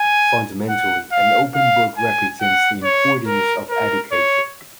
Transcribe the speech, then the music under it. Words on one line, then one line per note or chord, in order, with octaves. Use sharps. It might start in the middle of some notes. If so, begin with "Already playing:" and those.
Fundamentally, an open book represents the importance of education.
Already playing: G#5
F#5
F5
F5
G#5
F#5
C#5
A#4
A#4
C#5